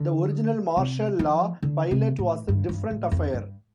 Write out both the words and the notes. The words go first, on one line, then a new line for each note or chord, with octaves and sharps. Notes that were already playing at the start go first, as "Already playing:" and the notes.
The original "Marshall Law" pilot was a different affair.
Already playing: D3
C3
F3
D3
C3
A2
G2
G2
A2
F2
G2